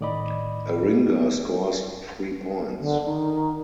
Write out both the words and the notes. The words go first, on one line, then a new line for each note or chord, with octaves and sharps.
A ringer scores three points.
A2 D#3 D5 D#5 B5
D3
D#3